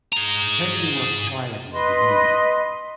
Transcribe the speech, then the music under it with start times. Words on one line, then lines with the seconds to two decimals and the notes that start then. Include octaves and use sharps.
tend to be more quiet in their demeanor,
0.12 G#4 A#5
1.72 B4 D#5 C6